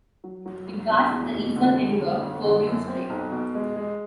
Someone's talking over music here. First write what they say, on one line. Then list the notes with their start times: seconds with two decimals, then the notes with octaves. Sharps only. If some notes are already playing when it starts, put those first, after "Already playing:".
It guards the eastern end of Foveaux Strait.
0.24 F#3
0.46 F#3
0.68 F#3
0.90 B2
1.12 E2
1.34 B2
1.56 D3
1.78 G1
2.00 D3
2.22 G1
2.44 D3
2.67 F#2
2.88 C4
3.10 B1
3.32 B2
3.55 G#3
3.76 G#3